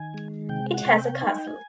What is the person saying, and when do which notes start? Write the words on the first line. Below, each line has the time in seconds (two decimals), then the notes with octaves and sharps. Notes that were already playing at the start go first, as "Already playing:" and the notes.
It has a castle.
Already playing: D#3 G#5
0.14 G#3
0.49 C3 G5
0.74 F#5
0.86 C3
0.98 G5
1.22 D#4 A5
1.30 G#5
1.38 G5
1.47 G#5